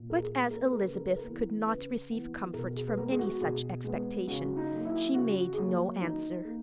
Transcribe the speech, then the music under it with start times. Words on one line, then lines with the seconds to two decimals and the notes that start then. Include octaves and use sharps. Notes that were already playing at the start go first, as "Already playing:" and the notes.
But as Elizabeth could not receive comfort from any such expectation, she made no answer.
Already playing: A#2
0.10 A#4
0.22 G#4
0.36 A#3
0.51 A#4
0.62 B4
0.72 A#4
0.80 C#3 B4
0.94 A#4
1.06 B4
1.16 A#4
1.23 E3 B3
1.67 C#3 B4
2.10 E3 B3
2.54 B2 A#4
2.76 G#4
2.88 B4
2.97 G#3 B3 A#4
3.11 G#4
3.19 F#4
3.41 B2 G#4
3.84 G#3 B3
4.28 C#3 F#4
4.56 D#4
4.71 F#3 A#3
4.85 E4
5.14 C#3 F#4
5.53 G#4
5.58 F#3 A#3 F#4
6.01 D#3 D#4
6.45 A#3